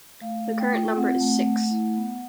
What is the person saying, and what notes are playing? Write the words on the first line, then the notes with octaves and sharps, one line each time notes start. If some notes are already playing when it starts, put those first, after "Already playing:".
The current number is six.
A3 F5
A3
G5
F4
C4 F#5
A3
A3
E4
B3